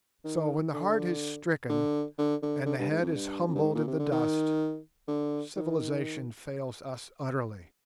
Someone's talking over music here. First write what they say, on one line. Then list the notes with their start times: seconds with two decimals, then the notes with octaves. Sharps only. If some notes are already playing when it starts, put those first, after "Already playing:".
So, when the heart is stricken, and the head is humbled in the dust, civilization fails us utterly.
0.24 D#3
0.74 D3
1.70 D3
2.18 D3
2.43 D3
2.66 D3
2.79 G2
2.91 G#2
3.02 F2
3.15 G2
3.48 F2
3.55 G2
3.63 G#2
3.75 A#2
3.88 C3
3.99 D3
4.12 D#3
5.08 D3
5.56 D#3